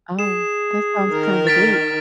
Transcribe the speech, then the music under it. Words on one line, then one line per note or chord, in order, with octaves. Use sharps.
Oh, that sounds kinda deep.
G#4 E7
D#3 A#4
A6 B6 D7